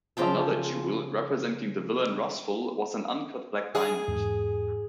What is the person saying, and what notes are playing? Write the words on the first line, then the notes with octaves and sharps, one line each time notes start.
Another jewel, representing the villain Rusful, was an uncut black diamond.
C#3 F3 G5 A5
G#4
E2 G#2